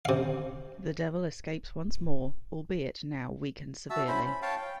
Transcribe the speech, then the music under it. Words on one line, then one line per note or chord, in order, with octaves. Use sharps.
The devil escapes once more, albeit now weakened severely.
C3 F5
F#4 E5 A5 E6
C#4 E4 C5 B5
B5
C#5 F5 G5 A5
G5